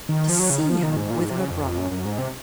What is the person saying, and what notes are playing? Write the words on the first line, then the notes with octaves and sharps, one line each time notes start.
To see her with her brother!
D#3
F3
F#3
C#3
D#3
F3
D#3
G#2
A#2
G#2
C3
C#3
F2
F2
F#2
F#2
G#2
C3